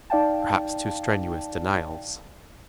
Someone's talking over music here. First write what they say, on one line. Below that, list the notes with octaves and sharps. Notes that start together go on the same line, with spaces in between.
Perhaps too strenuous denials.
D#4 D5 F5 G5 A5